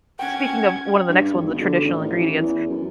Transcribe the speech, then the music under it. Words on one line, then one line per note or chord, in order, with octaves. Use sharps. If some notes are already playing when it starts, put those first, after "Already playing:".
speaking of one of the next ones, the traditional ingredients.
C#4 F#5 G5 G#6
G2
G#1
B2
D3
A1
E3
E2
F#2